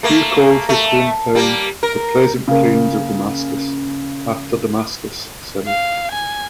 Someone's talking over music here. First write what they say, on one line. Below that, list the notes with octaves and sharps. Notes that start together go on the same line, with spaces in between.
Hughes called his town "The Pleasant Plains of Damascus" after Damascus, Syria.
A3 A#3
A3
G3 A#3
A#4
C#3 A#3
F5
G#5